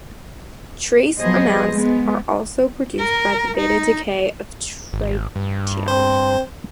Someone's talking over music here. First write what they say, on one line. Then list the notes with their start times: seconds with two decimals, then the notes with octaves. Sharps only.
Trace amounts are also produced by the beta decay of tritium.
1.18 F3 F#3 B3 G#4 C5 D#5
1.71 G#3 B3
2.99 A#4
3.57 D#4
4.93 G#1
5.36 G2
5.88 C4 C5